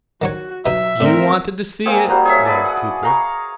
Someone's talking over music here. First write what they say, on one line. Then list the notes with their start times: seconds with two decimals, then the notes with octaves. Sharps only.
"You wanted to see it," yelled Cooper.
0.22 D#3 F#3 F#4 C#5
0.66 B2 F#3 D#4 E5
1.00 A2 C4 D4 A#4
1.86 G#3 A#3 C4 G#4
2.09 G3 F#4 C5 A#5
2.25 G#4 C#5 E5
2.45 G#4 B4 D5 A5
2.65 F#5
3.03 F5 A#5 C#6